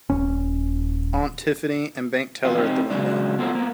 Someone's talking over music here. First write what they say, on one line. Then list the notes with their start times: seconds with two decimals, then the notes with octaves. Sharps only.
Aunt Tiffany and bank teller at the window.
0.10 D#1 C#4
2.45 E2 A3 C4 F4 F5
2.58 C4 D#4 G4
2.90 C#3 F#3 G#3 D4
3.39 A#3 B3 F4 A4 C5
3.55 A#3 B3